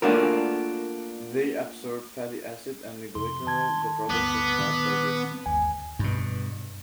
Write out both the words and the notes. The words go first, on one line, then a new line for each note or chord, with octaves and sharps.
They absorb fatty acid and glycerol, the products of fat digestion.
A3 A#3 D4 F4 F#4 A#4
F2 C3 C6
D#3 A5 G#6
D2 G2 B3 D6 F#6 B6
A#2 D#3 D4
G1 D#2 G#3 G#5
G2 B2